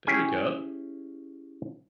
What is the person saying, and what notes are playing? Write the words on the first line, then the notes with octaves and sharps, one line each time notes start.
There you go.
C#4 E4 G4 G#4 G5 G#5